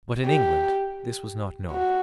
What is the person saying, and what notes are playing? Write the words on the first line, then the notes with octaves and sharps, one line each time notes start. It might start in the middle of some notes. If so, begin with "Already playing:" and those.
But in England this was not known.
G4
F#4